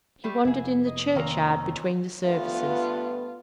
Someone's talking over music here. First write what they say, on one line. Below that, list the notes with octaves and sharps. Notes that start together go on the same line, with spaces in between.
He wandered in the churchyard between the services.
G3 A3 B4
F1 E4 G#4
D#5
D#3 A#3 C4 C#4 A#4 A#5
G2 A3 B3 F4